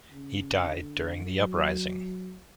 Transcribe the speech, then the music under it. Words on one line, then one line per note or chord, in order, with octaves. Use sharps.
He died during the uprising.
C#3
D3
F#3